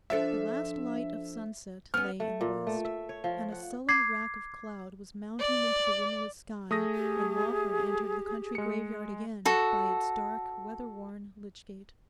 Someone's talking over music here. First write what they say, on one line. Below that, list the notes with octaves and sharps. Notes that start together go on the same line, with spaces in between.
The last light of sunset lay in the west; and a sullen wrack of cloud was mounting into the windless sky when Lawford entered the country graveyard again by its dark weather-worn lych-gate.
F3 D4 A4 E5
B3 C#4 F6
A3
A#2
A3
E5
C#5
F3
F#5
D6 G#6 C7
D5
A3 G#4 D#6 A#6
G4
G#3 C#7
F#4 A4